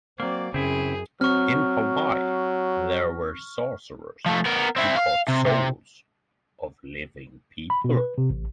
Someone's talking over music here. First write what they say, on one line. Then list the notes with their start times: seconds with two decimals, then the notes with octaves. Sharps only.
In Hawaii there were sorcerers who caught souls of living people.
0.20 F#3 A#3 C4 D5
0.54 F#2 C#3 C4 E4 G#4
1.21 F#3 C4 C#6 F6
4.26 F3 A3
4.46 B3 A#4
4.76 C4 E4
4.96 F5
5.28 C3
5.46 C3
7.70 B5
7.84 B2
7.97 B4
8.18 C3
8.30 A1